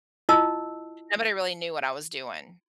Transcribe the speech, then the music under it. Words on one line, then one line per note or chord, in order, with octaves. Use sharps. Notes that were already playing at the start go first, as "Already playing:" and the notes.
Nobody really knew what I was doing.
E4 F4 D#5 A5 E6